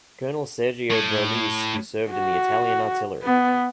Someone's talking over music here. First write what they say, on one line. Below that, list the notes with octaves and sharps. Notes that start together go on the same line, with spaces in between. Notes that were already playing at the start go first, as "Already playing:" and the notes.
Colonel Sergio Berlese who served in the Italian artillery.
A2
F#4
B3